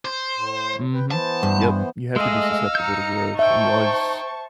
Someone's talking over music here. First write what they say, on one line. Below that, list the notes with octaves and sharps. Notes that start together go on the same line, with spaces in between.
Mhm. Yep. You have to be susceptible to growth, and you always
C5
A2
B4 G5
E3 B3 C5 A5
G2
G#3 A3 G#4 D#5 F5 E6
D#4 A#5 G6 C#7
C5 E5 G5 A5 C#6